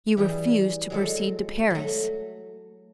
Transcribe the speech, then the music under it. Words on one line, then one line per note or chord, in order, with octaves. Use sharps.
You refuse to proceed to Paris.
E3 G3 G#4
F#3 G#3 A4
F#3 A3